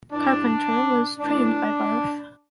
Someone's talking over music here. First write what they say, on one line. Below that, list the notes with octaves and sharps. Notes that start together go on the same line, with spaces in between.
Carpenter was trained by Barth.
G2 E3 D4
A2 E3 D4